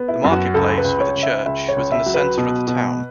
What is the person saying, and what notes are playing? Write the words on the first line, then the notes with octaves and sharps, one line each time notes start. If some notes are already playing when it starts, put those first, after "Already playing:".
The market place with a church was in the centre of the town.
Already playing: B3
E4
F#2
F#4
C#2 A4
B4
C#2
C#5
C#2
E5
C#2 E5
C#5
C#2
E5
F#3
B4
B2
B2